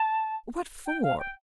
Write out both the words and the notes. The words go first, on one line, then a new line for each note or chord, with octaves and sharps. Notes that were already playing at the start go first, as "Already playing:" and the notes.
What for?
Already playing: A5
G5
F5
G5